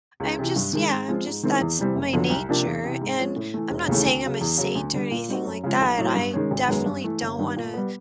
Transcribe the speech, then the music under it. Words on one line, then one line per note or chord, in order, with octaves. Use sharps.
I'm just yeah, I'm just that's my nature, and I'm not saying I'm a saint or anything like that. I definitely don't wanna
C#2
C3 E3
G2
D#3 G#3
G#2
F3 G#3 C4 F4
G#2
D#3 G#3 C4 E4
E2
C3 E3 G3 C4
F#1
F2 D3 F#3
C2
C3 F3 A#3 D4
E2
C3 E3
G#2
F3 G#3 C#4
A2
E3 A3
E1
D#2 C#3 E3 A3
D2
C#3 F#3
E2
C#3 F#3
D2
D3 G3
A#2
G3 C4 D#4 F#4
F#2
C#3 F3 G#3
B1
A2 F#3
G2
D#3 G#3 C#4
G#1
F#2 D#3 G#3 B3
G2
E3 A3
G1
G2 D#3
A#2
G3 B3